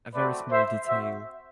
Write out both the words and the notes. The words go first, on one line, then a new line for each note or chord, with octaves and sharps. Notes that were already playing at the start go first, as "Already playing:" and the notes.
A very small detail.
A3 C4 F#4 B4 D5
C5 E5
C4 F#4 C5 E5